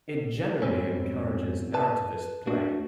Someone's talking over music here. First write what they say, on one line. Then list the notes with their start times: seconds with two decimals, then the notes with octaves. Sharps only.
It generally encourages narrativist play.
0.62 F2 G#2 B2 G3 C4 C#4
1.74 B4 A5
2.47 A3 D4 F#4